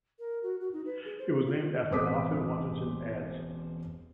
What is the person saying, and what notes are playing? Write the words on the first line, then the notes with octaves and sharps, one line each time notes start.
It is named after Alfred Washington Adson.
A#4
F#4
F#4
D#4
B4
G#4
C5
F4
E1 A1 C4 D6 D#6 B6